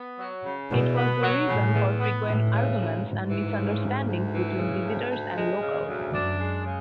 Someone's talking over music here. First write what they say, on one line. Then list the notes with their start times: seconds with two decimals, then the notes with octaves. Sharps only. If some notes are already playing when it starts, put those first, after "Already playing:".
It was the reason for frequent arguments and misunderstandings between visitors and locals.
Already playing: B3
0.19 F#3
0.45 C#3
0.71 E2 B2
0.97 B3
1.23 F#3
1.48 A2 C#3
1.74 E2
2.00 B3
2.26 A2 E3
2.52 C#3
2.78 D2
3.03 D2 G#2
3.30 E3
3.55 C#3
3.81 D2
4.07 D2
4.33 E3
4.59 C#3
4.84 D2
5.10 D2
5.36 G#3
5.62 C#3
5.88 D2
6.13 F#2 D4
6.40 G#3
6.65 C#3